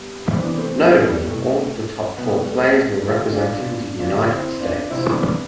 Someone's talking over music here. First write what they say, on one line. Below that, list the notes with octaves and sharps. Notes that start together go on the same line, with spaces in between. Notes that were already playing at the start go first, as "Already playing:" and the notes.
Notably, all the top four players were representing the United States.
Already playing: G3 B3
C4
C2 C3 E3 B3 D4
A3 C4
G3 B3
G3
C2 B2 A3
C2 B2 B3
A3
G3
A3
D2 D3 F3 F4
G4
D4 F4
D2 D3 F3 D4 F4
G4
F4
C4 E4
D4 F4
C2 C3 F3 C4 E4
C4
B3 D4